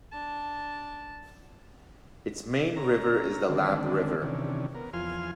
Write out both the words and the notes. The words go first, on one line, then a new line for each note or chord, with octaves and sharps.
Its main river is the Lab River.
D4 A5
C#4 A#5
D3 D#3 G#3 C4 D4
C3 D#3 E3 C#4 D4
B3 A#4
E2 F3 F4 G#5 C6 F6